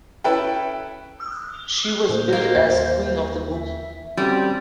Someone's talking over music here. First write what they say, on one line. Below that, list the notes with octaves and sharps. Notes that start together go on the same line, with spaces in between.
She was billed as "Queen of the Boogie".
C#4 E4 A4 B4 G5
A2 A#3 C5
A#3 D#5
D#2
E5
G3 C4 C#4 F#4 A4